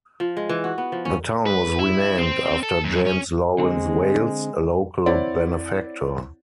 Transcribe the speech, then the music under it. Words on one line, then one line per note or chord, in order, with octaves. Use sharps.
The town was renamed after James Lawrence Wales, a local benefactor.
F3
G#3
E3
F#4
B3
F3
C#4
B4
E4
C4 C5
A4
F#2
C#4
D3 G#3 C4
C4 E4 C#5 D5 F#5